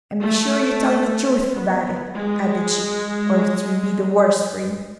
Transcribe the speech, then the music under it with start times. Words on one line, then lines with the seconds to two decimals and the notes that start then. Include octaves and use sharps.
'And be sure you tell the truth about it,' added she, 'or it will be the worse for you.'
0.20 A3
1.50 B3
2.15 G#3